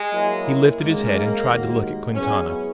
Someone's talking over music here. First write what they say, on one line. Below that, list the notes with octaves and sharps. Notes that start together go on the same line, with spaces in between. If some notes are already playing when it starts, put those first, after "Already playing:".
He lifted his head and tried to look at Quintana.
Already playing: G#3
F#3 A#3 E4 A#4
F#2 D#3 G#3 A#3
D#2 D#3 G#3 D#4 F#4
F#3 B3 C#4 E4 G#4